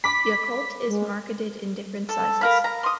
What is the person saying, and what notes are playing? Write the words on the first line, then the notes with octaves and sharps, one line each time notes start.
Yakult is marketed in different sizes.
B5 D6 B6
G#3
A4
A#4 F5 B5
A#5
C6 D#6